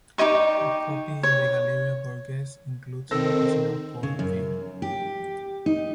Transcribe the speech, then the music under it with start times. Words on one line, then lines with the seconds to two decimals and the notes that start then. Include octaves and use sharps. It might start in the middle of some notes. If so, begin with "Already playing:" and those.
A copy in the Galleria Borghese includes an additional fourth figure.
0.18 D#4 G4 D#5 C#6
1.23 C#5
3.11 D#3 C4 A4 E6 A#6
4.03 C#3
4.19 F#2
4.82 G4
5.66 D#4